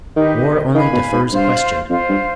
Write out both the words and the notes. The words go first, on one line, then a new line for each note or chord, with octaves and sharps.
War only defers a question.
D#3 D#4 G4 B4 D#5
D#3 B4 F5 G#5 B5
B2
G#2
G2 F4 C5 F5
F2 F4 C5 F5
G2